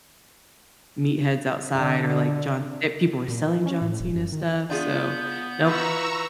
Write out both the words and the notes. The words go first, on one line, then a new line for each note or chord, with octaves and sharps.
meatheads outside or, like, John eh-people were selling John Cena stuff, so nope,
D3
A#2
E3
C#4
A2
E1
F#2
D#3
B3 D4 F4 G#4 G6
E3 F4 B4 A#5 C#6 E6